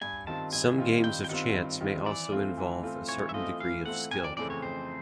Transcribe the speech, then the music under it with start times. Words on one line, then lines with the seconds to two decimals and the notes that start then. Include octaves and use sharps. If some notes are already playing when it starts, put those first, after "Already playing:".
Some games of chance may also involve a certain degree of skill.
0.02 G2 G#5
0.27 D#3 G3 C4 F4 A5
0.53 G2 G#5
0.78 D#3 G3 C4 F4
1.04 G2 G5
1.24 G5
1.29 D#3 G3 C4 F4 F#5
1.55 G2
1.81 D#3 G3 C4 F4
2.06 E3 D5
2.32 A3 C4 F4
2.57 E3
2.83 A3 C4 F4
3.09 E3 C#5
3.29 E5
3.34 A3 C4 F4 D#5
3.60 E3 F5
3.86 A3 C4 F4 F#5
4.11 F2 G#5
4.24 D5
4.37 C#3 E3 A3 C4 D5
4.50 C#5
4.62 F2 C5